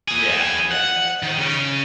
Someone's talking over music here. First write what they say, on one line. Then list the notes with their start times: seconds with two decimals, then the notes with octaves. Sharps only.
Yeah, yeah, no, nobody speaks
0.08 E3 G#4
0.71 F#5
1.23 D#3
1.39 C#3 C#4